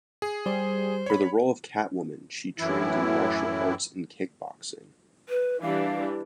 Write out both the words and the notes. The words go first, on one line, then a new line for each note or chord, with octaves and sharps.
For the role of Catwoman, she trained in martial arts and kickboxing.
G#4
G3 C5
C#5 B5
F#2 A2 E3 E4
B4
E3 G3 D4 F5